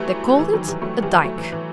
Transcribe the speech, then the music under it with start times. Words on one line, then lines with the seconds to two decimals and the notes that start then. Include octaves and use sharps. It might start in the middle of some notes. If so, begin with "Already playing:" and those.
They called it a dyke.
Already playing: E3 F#3 G3 A3
0.39 E3
0.53 D#3 F#3
0.68 E3 G3
0.82 F#3 A3
1.02 E3 G3
1.24 F#3 A3
1.38 E3
1.52 E3